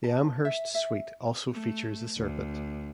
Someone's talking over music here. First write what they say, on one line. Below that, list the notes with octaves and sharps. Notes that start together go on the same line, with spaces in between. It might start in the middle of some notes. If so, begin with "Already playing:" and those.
The "Amherst Suite" also features the serpent.
A5
E5
E5
A3
D2